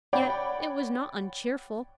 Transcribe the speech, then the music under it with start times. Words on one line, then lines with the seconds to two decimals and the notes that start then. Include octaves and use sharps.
Yet it was not uncheerful.
0.13 C#5 D5 F#5 G5 B5